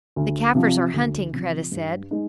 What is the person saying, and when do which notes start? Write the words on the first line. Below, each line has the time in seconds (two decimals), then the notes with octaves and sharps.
"The Kaffirs are hunting," Kreta said.
0.16 D2
0.55 C3 F3
0.94 D2
1.33 C3 F3
1.72 G2
2.11 G#3 D#4